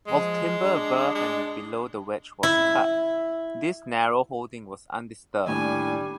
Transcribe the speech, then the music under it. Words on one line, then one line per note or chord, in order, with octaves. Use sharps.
While timber above and below the wedge was cut, this narrow holding was undisturbed.
F3 G#3
D4
G#3
E4
D#2 A2 G3 D4 G#5